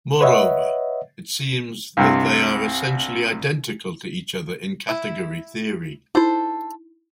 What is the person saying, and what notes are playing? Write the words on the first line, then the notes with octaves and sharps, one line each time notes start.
Moreover, it seems that they are essentially identical to each other in category theory.
B4 C#5 D#5 E5 F#5
C2 G2 C3
E4
D#4 E4 A4 C5